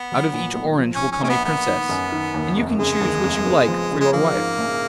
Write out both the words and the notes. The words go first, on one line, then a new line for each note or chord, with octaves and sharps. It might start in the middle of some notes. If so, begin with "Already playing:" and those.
Out of each orange will come a princess, and you can choose which you like for your wife.
Already playing: B3
F#3
A#2
B1
F3
C#4
G#2
C#4
A#1 C#4
B3
A#3 B3
D#3
F#2
D#3
D#2
F1
C#3 G#3
D#2
F1
B3
F3
C#3
G#3
F3 A#3
G#2
A#1